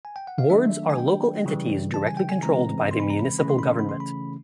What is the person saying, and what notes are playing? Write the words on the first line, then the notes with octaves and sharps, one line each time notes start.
Wards are local entities directly controlled by the municipal government.
G#5
G5
F#5
F5
D#3 F#3 A3 D4 E5
G#5
G5
C#3 E3 G3
A5
G#5
G5
G#5
C#3 E3 G#3 C4 A#5
C6
B5
A#5
B5
C#3 E3 A3 C#4 B5
C6
B5
C6
B5
C6
B5